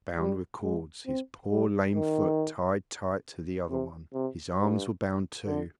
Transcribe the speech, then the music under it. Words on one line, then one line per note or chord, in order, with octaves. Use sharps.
He was bound with cords, his poor lame foot tied tight to the other one. His arms were bound too.
G3
G#3
C4
G3
D#3
C3
C3
G2
D3